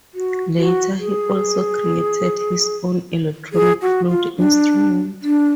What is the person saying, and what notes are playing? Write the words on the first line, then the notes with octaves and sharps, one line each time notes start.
Later he also created his own electronic flute instrument.
F#4
F#4
G#4
G#4
F#4
F4
D4
D4